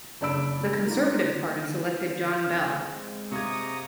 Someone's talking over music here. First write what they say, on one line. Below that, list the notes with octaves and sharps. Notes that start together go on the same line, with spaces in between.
The Conservative Party selected John Bell.
F#1 D4 D5 B5 E6 D7
A#3 D#4 F4
G#3 C4 G#5
C3 A#3 A#5 C#6 D#6 G#6